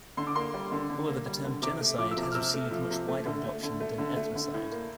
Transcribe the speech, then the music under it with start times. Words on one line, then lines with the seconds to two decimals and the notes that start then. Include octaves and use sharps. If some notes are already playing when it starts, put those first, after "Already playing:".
However, the term genocide has received much wider adoption than ethnocide.
0.17 D3 C6
0.27 D6
0.35 A#3 C6
0.54 G3
0.72 D3
0.90 D3
1.07 A#3
1.26 G3
1.44 D3
1.62 C3 D6
1.80 A3
1.99 F3 D6
2.11 E6
2.17 C3
2.23 D6
2.31 F6
2.35 C3 E6
2.54 A3
2.71 F3
2.90 C3
3.08 A3
3.26 D3
3.44 A3
3.63 D3
3.80 A3
3.98 D3
4.16 A3
4.35 D3
4.54 A2
4.71 A#3